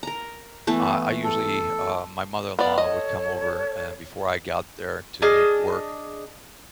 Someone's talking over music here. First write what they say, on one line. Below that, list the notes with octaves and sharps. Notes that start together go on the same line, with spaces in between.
uh, I usually uh, my mother-in-law would come over, eh before I got there to work
A#4 A#5
E3 A3 B3
A4
B3 D5 F5
A4 C#5 D#5 A5
D4 G#4 D#5 F6